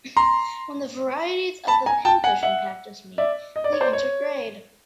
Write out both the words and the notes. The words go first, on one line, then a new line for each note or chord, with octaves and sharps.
Where the varieties of the pincushion cactus meet, they intergrade.
A#5 C6
A5 B5
G#5 A#5
G5 A5
F#5 G#5
E5 F#5
D5 E5
D#5
D5
C#5
C5 D5
C#5